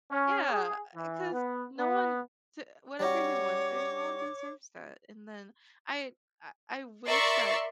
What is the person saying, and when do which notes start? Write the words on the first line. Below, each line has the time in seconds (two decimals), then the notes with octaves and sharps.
Yeah, 'cause no one to whatever you went through, no one deserves that, and then I I I wish that
0.11 C#4
0.50 G#4
0.95 E3
1.32 B3
1.78 B3
2.99 G3 C#4 F#4 C#5 D6
7.07 A#4 D5 E5 C6 C#6